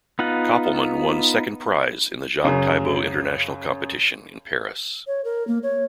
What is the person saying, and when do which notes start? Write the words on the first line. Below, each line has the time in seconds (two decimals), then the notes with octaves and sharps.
Kopelman won second prize in the Jacques Thibaud International Competition in Paris.
0.19 B3 D#4 F4 F#5
2.45 F#2 C#3
5.07 C#5
5.24 A#4
5.47 A#3
5.62 C#5